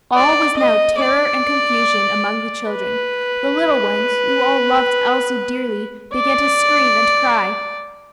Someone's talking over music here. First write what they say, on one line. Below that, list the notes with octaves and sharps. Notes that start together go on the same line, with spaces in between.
All was now terror and confusion among the children; the little ones, who all loved Elsie dearly, began to scream and cry.
D5
D#5
D5
B4
D5